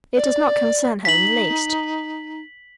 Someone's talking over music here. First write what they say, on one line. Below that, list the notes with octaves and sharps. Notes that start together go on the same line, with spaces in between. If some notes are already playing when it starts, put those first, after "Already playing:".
It does not concern her in the least.
D5
D#4 B6 F#7